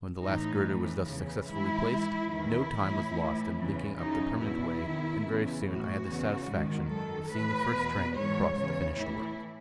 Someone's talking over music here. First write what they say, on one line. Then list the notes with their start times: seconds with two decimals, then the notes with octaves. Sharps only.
When the last girder was thus successfully placed, no time was lost in linking up the permanent way, and very soon I had the satisfaction of seeing the first train cross the finished work.
0.23 A2 E3 D#4
0.65 A2 E3
1.07 E2 C#3 E3
1.48 G#2 E3 E4
1.90 G#2 E3
2.31 E2 D#3 E4
2.73 A2 E3
3.15 A2 E3
3.56 E2 C#3 E3
3.98 F#2 C#3 E3 D#4
4.40 E2 B2 E4
4.81 E2 D#3
5.23 E2 C#3 E3
5.65 A2 E3 F#4
6.06 E2 C#3 E3
6.48 G#2 D#3
6.89 F#2 D#3 A4
7.31 A2 E3 B4
7.73 E2 B2
8.15 G#2 E3 C#5
8.57 E2 C#3 E3 C#5
8.98 A2 E3 E4